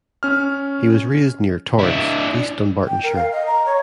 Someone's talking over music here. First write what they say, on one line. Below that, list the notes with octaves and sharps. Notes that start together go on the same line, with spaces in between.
He was raised near Torrance, East Dunbartonshire.
C#4 F6
D4 E4
G5
A#4
F5
D#5
A#5
C#5